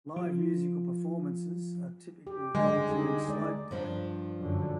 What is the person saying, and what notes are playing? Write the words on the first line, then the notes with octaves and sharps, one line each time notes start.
Live musical performances are typically held during Slope Day.
F3 F4
G4
D3 G3 G#3
D#4 G4 G#4
G#3 D5
G2 F3 D4
F#2 D3